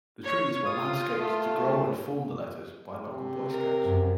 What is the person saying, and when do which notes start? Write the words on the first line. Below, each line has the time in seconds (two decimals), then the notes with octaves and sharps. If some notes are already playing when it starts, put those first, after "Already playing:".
The trees were landscaped to grow and form the letters by local Boy Scouts.
0.24 C#5
0.65 F4 D#6
1.18 A3
3.07 C3
3.49 A#4
3.84 F#2